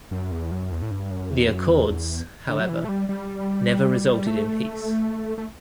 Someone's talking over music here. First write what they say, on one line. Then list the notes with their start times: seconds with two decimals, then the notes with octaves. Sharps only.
The Accords, however, never resulted in peace.
0.11 F#2
0.32 E2
0.52 F#2
0.72 E2
0.82 A2
0.91 G2
1.11 F#2
1.30 E2
1.50 F#2
1.70 E2
1.90 E2
2.49 D3
2.60 F#3
2.69 E3
2.84 A3
2.88 G3
3.09 G3
4.27 A3
5.38 A3